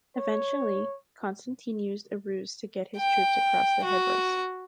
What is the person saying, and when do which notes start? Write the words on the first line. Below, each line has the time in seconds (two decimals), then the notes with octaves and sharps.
Eventually, Constantine used a ruse to get his troops across the Hebrus.
0.17 C#5
2.97 G5
3.84 F#4